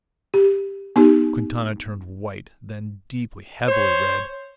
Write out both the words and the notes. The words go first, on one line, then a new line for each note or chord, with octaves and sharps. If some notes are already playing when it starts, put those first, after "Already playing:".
Quintana turned white, then deeply, heavily red.
G4
B3 D#4 G4
C5 C#5